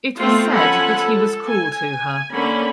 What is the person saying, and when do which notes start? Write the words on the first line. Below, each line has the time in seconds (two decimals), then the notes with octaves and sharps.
It was said that he was cruel to her.
0.18 A3 B3 C4 F4
0.52 F3 C#4 A4 F#5 G#5 B5
0.94 A4
1.48 G#5
2.31 D3 A#3 C#4 B5